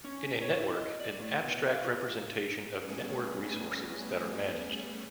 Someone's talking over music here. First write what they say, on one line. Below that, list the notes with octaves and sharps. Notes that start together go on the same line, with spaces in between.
In a network, an abstract representation of network resources that are managed.
C#4
C#5
E4
D#5
D5
A2
B2
F5
F4
G3 A3 B3 C#4 G#4